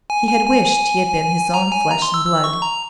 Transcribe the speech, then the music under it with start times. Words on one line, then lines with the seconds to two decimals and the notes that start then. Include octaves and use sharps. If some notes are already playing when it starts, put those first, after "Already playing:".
He had wished he had been his own flesh and blood.
0.10 G#5
0.28 G#5
0.46 G#5
0.64 G#5
1.54 A#5
1.72 G#5
1.90 A#5
2.02 C6
2.14 E6
2.26 E6
2.44 C#6
2.62 A#5